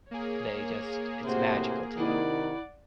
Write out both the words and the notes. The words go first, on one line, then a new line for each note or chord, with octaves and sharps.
they just it's magical to them,
A#3 G#4 C#5
A2 C3 F#4 C5
C3 D#3 E4 D5 F#5